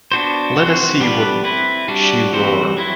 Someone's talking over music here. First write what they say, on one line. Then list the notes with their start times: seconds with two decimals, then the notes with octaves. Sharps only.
Let us see what she wore.
0.12 B3 D4 F#4 C5
0.56 C4 F#4 C5
1.00 G3 B3 D4 G4 B4
1.44 C4 E4 B4
1.88 G3 D4 F#4
2.32 E3 G3 C4 F#4 C5
2.77 F#3 C4 E4